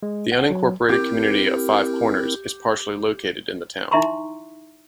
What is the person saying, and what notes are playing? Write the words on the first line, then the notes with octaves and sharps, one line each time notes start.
The unincorporated community of Five Corners is partially located in the town.
G#3
F#5
F#3
C4 E4 G4 A#4
D#4 E4 E5 A#5 C6 C#6